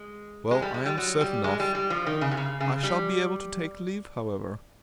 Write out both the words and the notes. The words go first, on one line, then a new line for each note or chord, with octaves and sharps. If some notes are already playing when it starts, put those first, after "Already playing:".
Well, I am certain of--I shall be able to take leave, however.
Already playing: G#3
G#3
G3
G#3
G3
F#3
G3
G#3
G3
G3
F3
D#3
C#3
C3
C#3
C#3
G3